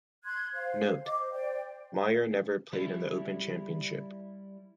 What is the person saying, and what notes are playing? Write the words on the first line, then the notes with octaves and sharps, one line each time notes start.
Note: Mayer never played in The Open Championship.
C6 F#6 G#6
C5 F5
D#5 D6
C5
C5 D5 G5
G3 E4